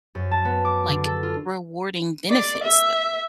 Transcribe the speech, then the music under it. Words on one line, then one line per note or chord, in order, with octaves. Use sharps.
like, rewarding benefits though.
F#2
A5
B3
D6
D3
A4
F4
D5
E5